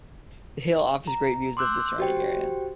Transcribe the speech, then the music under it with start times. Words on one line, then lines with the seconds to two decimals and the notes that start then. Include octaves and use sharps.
The hill offers great views of the surrounding area.
1.07 A#5
1.57 C6 D6 E6 F#6 G6
1.99 F#4 G4 C5 G5